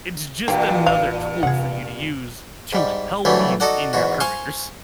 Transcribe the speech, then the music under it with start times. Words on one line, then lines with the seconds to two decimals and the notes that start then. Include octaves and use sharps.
it's just another tool for you to use to help you in your careers.
0.48 G2 A#2 E3 A#3 G4
0.86 A1 E2 F5
1.43 F1 C3 G#4 F#5
2.73 G#2 G3
3.25 D2 G2 E3 F#3 G3 A3
3.60 D#4 F#4 A4 D5 F#5
3.93 E2 G#2 F#4
4.20 C5 F5 G#5 C6 C#6